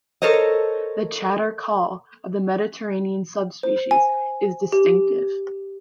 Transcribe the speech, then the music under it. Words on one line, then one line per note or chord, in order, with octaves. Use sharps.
The chatter-call of the Mediterranean subspecies is distinctive.
A4 A#4 C5 C#5 D#5
C5
G#5
G4